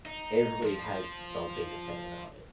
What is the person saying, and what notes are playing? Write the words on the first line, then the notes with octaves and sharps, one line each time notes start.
everybody has something to say about it,
D#4
F3